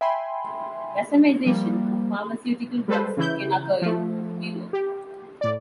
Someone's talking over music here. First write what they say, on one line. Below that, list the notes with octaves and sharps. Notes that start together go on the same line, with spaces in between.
Racemization of pharmaceutical drugs can occur "in vivo".
E5 G5 G#5 B5 C6
F3 G3 A#3
G3 G#3 A4 B4 C5
C#3 E3 E4 G6
F3 A3
G4
A2 D5